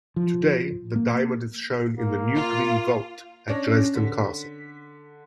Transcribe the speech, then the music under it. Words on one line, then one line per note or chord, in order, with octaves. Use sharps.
Today, the diamond is shown in the "New Green Vault" at Dresden Castle.
F3
A#3
A#3
F4
C#4 D4 C#5 A#6
D3 B6